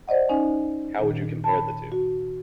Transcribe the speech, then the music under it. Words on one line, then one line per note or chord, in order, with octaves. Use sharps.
How would you compare the two?
C5 D5 D#5 F#5
C#4 D#4 G#5
A#2 D#3
A5 B5
F#4